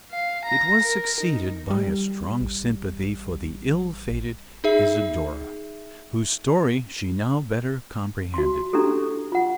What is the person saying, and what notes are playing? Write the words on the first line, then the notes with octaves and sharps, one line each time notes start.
It was succeeded by a strong sympathy for the ill-fated Isidora; whose story she now better comprehended.
F5
A#5 A#6
A#4
D#4
G3
A1
D#4 G#4 E5
F#4 C6
C#4 D4 E4 G4 A4
F4 F#5